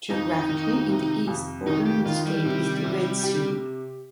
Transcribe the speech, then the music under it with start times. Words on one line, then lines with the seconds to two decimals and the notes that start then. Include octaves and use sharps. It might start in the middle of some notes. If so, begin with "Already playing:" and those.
Geographically, in the east, bordering the state, is the Red Sea.
0.10 F2 D#4
0.49 D#3
0.88 C3
1.27 F2
1.67 D#3 D#4
1.86 G4
2.05 D#3 F4
2.26 G3
2.45 C3
2.84 C3
3.23 G4